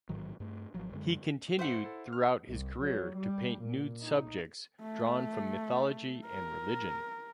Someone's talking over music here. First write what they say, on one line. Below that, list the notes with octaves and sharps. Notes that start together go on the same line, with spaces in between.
He continued throughout his career to paint nude subjects drawn from mythology and religion.
A1 G#2 D#3 F#3
G2 A3
G#1 F3 F#3
F#2 D3 G#3
G2 C5 E5 F#5
E4 A4
F6
C2
F#3
G3
A#2
D#4
A3
A#4